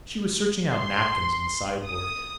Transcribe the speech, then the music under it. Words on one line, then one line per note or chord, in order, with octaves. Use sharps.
She was searching out napkins in the sideboard.
C6
D#6